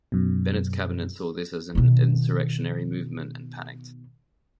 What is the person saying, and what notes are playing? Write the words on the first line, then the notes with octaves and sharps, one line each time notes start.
Bennett's cabinet saw this as an insurrectionary movement and panicked.
F#2 B2
B2 D#3